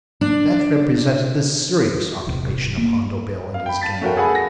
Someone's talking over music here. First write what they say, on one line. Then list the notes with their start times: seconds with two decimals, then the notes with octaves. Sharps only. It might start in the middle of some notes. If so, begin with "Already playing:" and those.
That represented the serious occupation of Hondo Bill and his gang.
0.21 D4
2.27 D1 E2 C3
2.77 A#3
3.54 F5
3.66 G5 B5
3.81 A5 A6 B6
4.01 A3 C#4 F#4 A#4 F5 G5
4.17 G#4 A4 F#5 G#5 B5
4.35 A#6